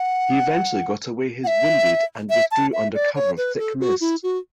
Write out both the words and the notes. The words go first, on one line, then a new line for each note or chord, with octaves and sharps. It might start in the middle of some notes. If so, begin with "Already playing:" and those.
He eventually got away his wounded and withdrew under cover of thick mist.
Already playing: F#5
F#5
E5
E5
A5
E5
D5
C#5
B4
A4
F#4
E4
F#4